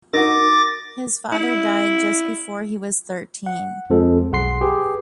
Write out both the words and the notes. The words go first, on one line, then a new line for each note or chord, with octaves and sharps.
His father died just before he was thirteen.
D#4 F#4 A#4 D6 A6 A#6
E4
F#5
F2 F3 G#3 A4
B1 G#4 F#5 C6 C7
G4 G#4 B4